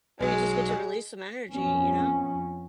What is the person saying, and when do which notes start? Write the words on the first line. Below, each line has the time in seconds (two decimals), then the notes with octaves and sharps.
Or you just get to release some energy. You know?
0.20 B1 F#3 G#3
1.50 F2 B3 C#4